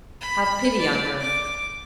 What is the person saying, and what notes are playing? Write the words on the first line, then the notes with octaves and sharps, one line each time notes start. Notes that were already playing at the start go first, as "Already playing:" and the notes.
Have pity on her.
B5
D5
D6